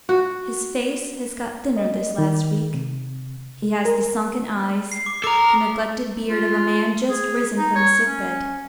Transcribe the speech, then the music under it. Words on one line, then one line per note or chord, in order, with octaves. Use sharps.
His face has got thinner this last week: he has the sunken eyes, the neglected beard of a man just risen from a sick-bed.
F#4
D#5
D#3
C3
G#3
A#4
C7
D6
A4 A#5 D6 D#6
F4
G#4
D#4
C#5
C#4